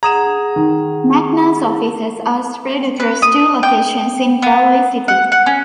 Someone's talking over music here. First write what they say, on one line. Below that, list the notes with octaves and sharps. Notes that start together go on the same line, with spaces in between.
Macnas offices are spread across two locations in Galway city.
G#4 F#5 A#5 D#6 E7
D#3
B4
D#6
G5
B3
F#5
F#5
C#4